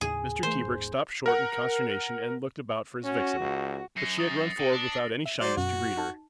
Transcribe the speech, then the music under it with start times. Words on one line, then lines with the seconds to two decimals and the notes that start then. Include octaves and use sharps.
Mr. Tebrick stopped short in consternation and looked about for his vixen, but she had run forward without any shyness to greet her.
0.01 D#2 A2 C#3 G#4
0.43 E3 A3 C5
0.63 D#1 A#1 G#2
1.26 A#4 F#5
3.04 C#4 F#4
3.40 C#2
3.97 F#2 A#6 C7 C#7
4.19 D#6 A6
4.59 C3 A#6 F#7
4.72 D4
5.26 E5
5.41 F#3 C5 D5
5.57 F#2 B2 F#4
5.97 D#4 A5